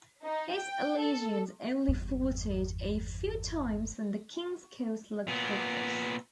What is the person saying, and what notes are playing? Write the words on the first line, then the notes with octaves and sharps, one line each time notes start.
His allegiance only faltered a few times when the king's cause looked hopeless.
D#4
G5
A4
G1 E2
A#2 B3